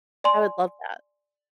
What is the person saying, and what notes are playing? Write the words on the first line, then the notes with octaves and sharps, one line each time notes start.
I would love that.
D5 G#5 C6